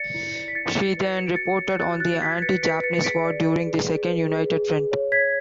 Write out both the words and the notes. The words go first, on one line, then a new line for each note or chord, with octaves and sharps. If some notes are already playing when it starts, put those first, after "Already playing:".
She then reported on the Anti-Japanese war during the Second United Front.
Already playing: D5 A6 C#7
E4
D5
B6
E4 A6 C#7
E4
B4
F#4 C#7
D7
F#4 A6 C#7
C#5
F#4 F#6 A6
F#4 F#6 A6
A6
F#4 G#6 B6
B4 A6 C#7
B4 B6 D7
B4 A6 C#7
G#4 B6 D7
D5
B4
G#4
G#4
B4
G#4
G#4
G#4
C#5
C#5 G#6 B6